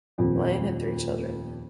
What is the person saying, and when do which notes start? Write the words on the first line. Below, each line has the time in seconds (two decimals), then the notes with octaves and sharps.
Lion had three children.
0.18 D#1 F2